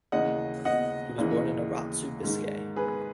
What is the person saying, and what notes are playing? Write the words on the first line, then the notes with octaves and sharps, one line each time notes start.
He was born in Arratzu, Biscay.
D#2 C#3 E3 D#5 F#5
D#5 F#5
D#2 C#3 E3
G#2 D#3
G#4 B4